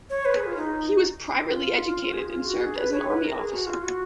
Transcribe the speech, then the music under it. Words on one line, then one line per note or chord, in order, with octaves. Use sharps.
He was privately educated and served as an army officer.
C#5
B4
G#4
F4
D#4
F4
G#4
F4
F#4
G#4
B4
C#5
B4
A#4
G#4
F#4
F4
F#4